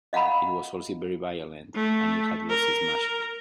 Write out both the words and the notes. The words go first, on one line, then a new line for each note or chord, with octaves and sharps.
It was also very violent and it had lost its magic.
D#5 F5 F#5 A#5 B5
A3
A#4